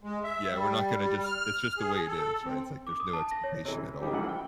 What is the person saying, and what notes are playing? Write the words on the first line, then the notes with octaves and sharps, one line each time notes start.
yeah, we're not gonna just it's just the way it is, right? It's, like, there's no expectation at all,
G#3
E5
G3
G3
F6
G#4
A4
C4
D6
D#6
A5
A#6
C#5
C3 E3
D#3 G3 G4
C#2 E3 F3 F#5
G5